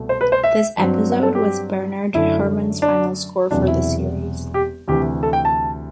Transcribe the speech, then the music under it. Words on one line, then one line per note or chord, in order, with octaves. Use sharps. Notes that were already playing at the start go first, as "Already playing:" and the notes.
This episode was Bernard Herrmann's final score for the series.
Already playing: C2 B2 A3
C5
B4
C5
E5
G2 F#3 C4
F#5
A4
G4
F#2 D3 F#3 A3 E4
D4
E1 E2 C3 F#3 D4
E4
G4
D2 C3 E3 G4
A4
G5
A5